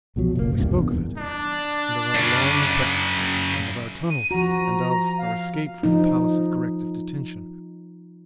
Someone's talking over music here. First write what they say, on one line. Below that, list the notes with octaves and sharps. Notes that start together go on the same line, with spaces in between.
We spoke of it, and of our long quest, and of our tunnel, and of our escape from the Palace of Corrective Detention.
C2 B2 F3 F#3
F#1 B1 B2 A#3
D1 C2 G2 A#2
E2
D4
F#2 C#3
D#7
F3 F#4 A#5
F5
F3 D#4